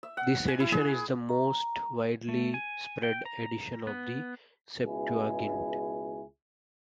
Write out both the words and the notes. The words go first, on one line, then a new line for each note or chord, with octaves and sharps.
This edition is the most widely spread edition of the Septuagint.
E5
F#5
G#5
E4
G#4
A#5
A3
G#5
G5
A#5
B3
C#2 B2 E4 G#4